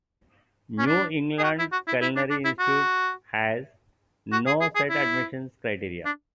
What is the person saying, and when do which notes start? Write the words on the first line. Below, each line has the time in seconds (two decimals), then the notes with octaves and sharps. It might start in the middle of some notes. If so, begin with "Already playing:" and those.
New England Culinary Institute has no set admissions criteria.
0.79 C#4
0.86 D4
1.38 G#4
1.43 F#4
1.59 E4
1.72 F#4
1.87 E4
2.02 E4
2.16 D4
2.30 D4
2.45 E4
2.59 F#4
4.32 F#4
4.47 G#4
4.61 G#4
4.76 G#4
4.90 E4
6.05 D4